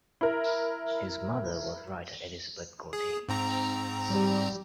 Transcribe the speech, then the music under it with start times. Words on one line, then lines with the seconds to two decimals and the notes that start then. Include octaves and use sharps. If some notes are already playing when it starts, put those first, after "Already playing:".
His mother was writer Elizabeth Goudie.
0.21 E4 A#4
2.93 G#4
3.29 G#2 C4 A#5
4.12 G3